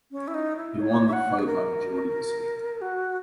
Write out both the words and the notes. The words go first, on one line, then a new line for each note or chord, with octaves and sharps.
He won the fight by majority decision.
C#4
E4
D#4
E4
C#5
E5
F#5
G#4
A#4
F#4